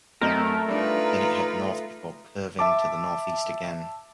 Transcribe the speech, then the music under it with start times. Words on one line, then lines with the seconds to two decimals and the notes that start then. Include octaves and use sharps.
Then, it head north before curving to the northeast again.
0.22 F#2 A3 C4 A#4 D#5
0.69 G3 D4 D#4 F4 B4
2.59 E5 A5 D6